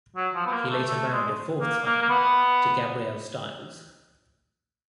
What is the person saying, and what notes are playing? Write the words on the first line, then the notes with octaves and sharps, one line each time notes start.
He later married a fourth time, to Gabrielle Styles.
F#3
F3
B3
A#3
A3
A3
G#3
A#3
A#3
A#3
B3